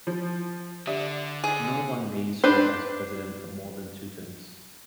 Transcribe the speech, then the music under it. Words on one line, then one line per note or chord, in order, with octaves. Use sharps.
No one may serve as President for more than two terms.
F3
D3 G4 D5 E5
G#4
D4 B4 C5